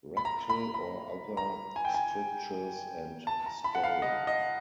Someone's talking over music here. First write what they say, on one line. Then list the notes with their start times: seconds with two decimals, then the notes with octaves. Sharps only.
Rectal or other strictures and scarring.
0.17 B5
0.25 A#5
0.50 B5
0.74 B5
1.37 A#5
1.76 G#5
1.85 G5
1.94 G#5
3.27 A5
3.46 A#5
3.64 B5
3.75 F#5
3.83 F5
4.02 D#5
4.27 D#5